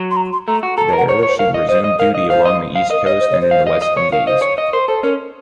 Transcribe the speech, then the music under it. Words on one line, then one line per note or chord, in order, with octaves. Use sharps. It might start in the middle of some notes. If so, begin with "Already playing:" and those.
There, she resumed duty along the east coast and in the West Indies.
Already playing: F#3
C6
A#5
C6
A3 A#5
F#4
A4 A#5
A5
A#4 F#5
C5 C#5
A#4
C#5
C5
A#4 F5
D#5
C5 D#5
D#5
A#4 F5
D#5
C5 F5
D#5
F5
A#4 D#5
C#5 D#5
C5
C#5
C5
F5
D#5
D#5
C#5
A#4 F5
C5 D#5
C#5
D#5
A#4 C5
A4 C5
C#4 A#4